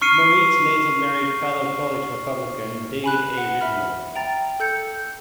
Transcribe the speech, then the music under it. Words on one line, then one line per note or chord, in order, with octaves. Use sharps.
Moritz later married fellow College Republican David A. Ridenour.
C#6 F6 C7 C#7 D#7
G#5 B5 F#6
F#5
E5 B5 F6
G5 A#5 A6
A4 G6 C#7